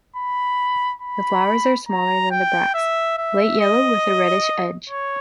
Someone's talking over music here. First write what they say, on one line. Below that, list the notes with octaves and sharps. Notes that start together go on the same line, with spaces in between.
The flowers are smaller than the bracts, light yellow with a reddish edge.
B5
B5
A#5
G5
E5
E5
D#5
C#5